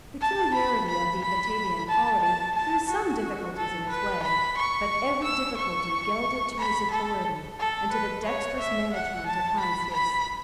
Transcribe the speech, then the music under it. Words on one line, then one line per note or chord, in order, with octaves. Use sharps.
The peculiarity of the Batavian polity threw some difficulties in his way; but every difficulty gelded to his authority and to the dexterous management of Heinsius.
A5
B5
B5
B5
A5
A5
A5
F#4
A4
B4
B5
C#6
E6
C#6
B5
A4
A4
B4
C#5
E5
F#5
A5
B5
B5